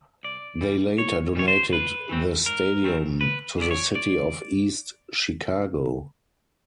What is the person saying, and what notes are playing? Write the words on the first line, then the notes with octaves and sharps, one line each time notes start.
They later donated the stadium to the City of East Chicago.
C2 D5
C3 E3 G3
C2 C#5
C3 E3 G3 C#5
C5
G#2 B4
E3 A3 C4
G#2 A#4
E3 A3 C4
D#2 B4
C#3 F#3 B3 D5
C#5
D5